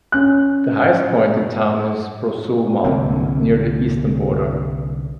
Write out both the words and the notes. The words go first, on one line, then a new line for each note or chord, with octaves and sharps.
The highest point in town is Brousseau Mountain near the eastern border.
C#4 F#6
C2 D3 A#3 C4